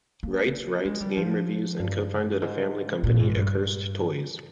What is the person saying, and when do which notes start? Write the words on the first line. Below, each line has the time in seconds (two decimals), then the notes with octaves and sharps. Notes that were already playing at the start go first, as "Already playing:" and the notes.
Reitz writes game reviews and co-founded a family company, Accursed Toys.
0.23 A#3
0.85 G#3
1.00 G3
1.17 F3
1.79 G2
2.42 G#2
3.04 A#2
3.20 G#2
3.36 G2